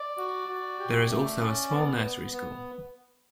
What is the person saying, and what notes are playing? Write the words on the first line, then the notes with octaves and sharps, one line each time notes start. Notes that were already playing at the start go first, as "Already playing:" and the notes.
There is also a small nursery school.
Already playing: D5
F#4
F#4
G4
A3
C#4
B3
B3
B3